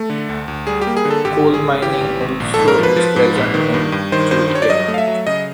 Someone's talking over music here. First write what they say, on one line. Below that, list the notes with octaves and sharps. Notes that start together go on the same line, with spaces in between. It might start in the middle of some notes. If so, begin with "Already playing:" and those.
Coal mining also is present in Jiutai.
Already playing: A3
D3
D2
D2
G3 G#4
G4
A#3
G#4
D3
A4
G#1 G4
G#1
G#4
G#1
E3 G4
G#1
G#1
A#1
G#2 A4
A#4
F3 B4
F3
G#2
A#1
D#3
G2
G2
D#3 C5
G2 C5
G2 C5
C#5
D5
F#3 D#5
A3
F5
E5
F#3
C#3 D#5